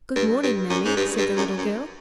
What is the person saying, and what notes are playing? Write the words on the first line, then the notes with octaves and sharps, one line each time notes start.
"Good morning, mammy," said the little girl.
G2
G2
F#2
G#2
G2
G2
F#2
F#2